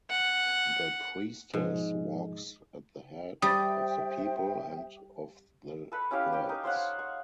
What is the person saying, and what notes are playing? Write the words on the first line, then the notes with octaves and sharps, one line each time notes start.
The priestess walks at the head of the people and of the herds.
F#5
G#2 B2 F3 G#4
G3 C5 E5 G5 D#6 A6
A4 B4 B5
C#4 E4 G4 F5
G4 G5
D#4
C5 C#5 F5 F#5
C#6